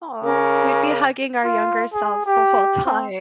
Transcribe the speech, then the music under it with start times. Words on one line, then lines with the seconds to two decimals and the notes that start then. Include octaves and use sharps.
Aw, we'd be hugging our younger selves the whole time.
0.23 C#3 C#4 A#4 D6
1.44 F4
1.93 G#4
2.26 G4
2.85 C4